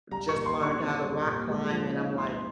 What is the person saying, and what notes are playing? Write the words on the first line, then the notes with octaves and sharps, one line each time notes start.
just learned how to rock climb and I'm like,
G3 A#5
C#6
A#2
C6
D#4
C#6
C4
G3
A#2
G#3
F3
D#4
C4 C6